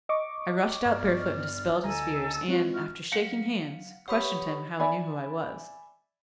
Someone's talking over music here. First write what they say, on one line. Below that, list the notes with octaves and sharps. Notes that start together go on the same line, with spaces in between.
I rushed out barefoot and dispelled his fears, and, after shaking hands, questioned him how he knew who I was.
D#5 C#6 D6
G2 B3 D5 F6
D2 A4 D#5 G#5 A#5
G#3 C4 F4 F#4
E4 F#4 F6
F#3 F5 F#5 B6 C#7 F#7
G4 B4 C#5 F#5 B5 D#6
D5 E5 G#5 B5